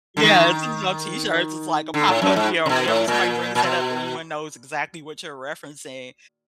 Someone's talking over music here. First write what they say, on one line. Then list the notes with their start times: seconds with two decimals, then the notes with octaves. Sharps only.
Yeah, it's in some T-shirts. It's like a pop cul you know, whenever somebody brings that up, everyone knows exactly what you're referencing.
0.17 D3
0.22 D#3
1.94 D3
2.08 A2
2.22 F#2
2.36 G#2
2.66 C3
2.69 B2
2.88 A2
3.08 A#2
3.55 A#2
3.63 B2